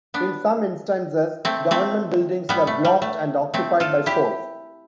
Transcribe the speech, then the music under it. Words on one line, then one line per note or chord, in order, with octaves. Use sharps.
In some instances, government buildings were blocked and occupied by force.
B3 D4
A3 C4
A3 C4
G3 B3
A3
G3
A3
A3 C4
F4 A4
E4 G4